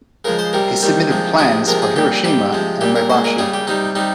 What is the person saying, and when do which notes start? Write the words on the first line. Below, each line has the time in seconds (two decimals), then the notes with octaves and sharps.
He submitted plans for Hiroshima and Maebashi.
0.25 C#3 F3 G#3 A#4
0.39 C5
0.53 C3 G3 A#4
0.83 C3 D#3 G3
1.10 C3 F3 G#3
1.38 C3 F3 G#3 G#4
1.67 C3 F3 G#3 A#4
1.82 G#4
1.96 A#2 G3 G4
2.25 C3 G3 G4
2.53 C3 F3 G#3
2.81 A#2 G3 G4
2.96 A#4
3.10 A#2 G#3 C5
3.24 A#4
3.38 C#3 G3 G#4
3.53 G4
3.67 C3 G3 D#4
3.95 C3 G3 D#4